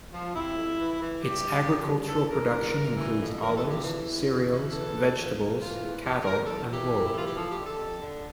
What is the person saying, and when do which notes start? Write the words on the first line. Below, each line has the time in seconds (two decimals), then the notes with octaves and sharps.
Its agricultural production includes olives, cereals, vegetables, cattle and wool.
0.11 F3
0.34 C3 E4
0.55 F2
0.77 E3
1.00 E3
1.21 G2 G4
1.43 G2
1.65 F3
1.87 G2
2.08 E3 A4
2.30 E3 A#4
2.52 G2
2.75 G2
2.96 E3
3.18 F2
3.40 E3 A#4
3.55 A4
3.61 F2
3.69 G4
3.83 E3
4.06 E2
4.28 E3
4.50 E3
4.71 E2 A4
4.93 E2
5.15 F3
5.36 F3
5.59 E3 F4
5.81 E2
6.02 E2 G4
6.24 E2 A#4
6.46 E3 A4
6.69 E3 G4
6.89 A2
7.06 E4
7.12 E3 F4
7.24 G4
7.33 F3 A4
7.49 G4
7.56 D3
7.64 A4
7.77 F2
7.99 D3